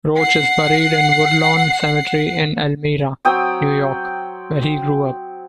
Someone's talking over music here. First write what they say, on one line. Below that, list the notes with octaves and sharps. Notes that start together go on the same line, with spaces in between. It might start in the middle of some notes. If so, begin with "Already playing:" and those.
Roach is buried in Woodlawn Cemetery in Elmira, New York, where he grew up.
F#5 C7
F#3 C4 G5 D#6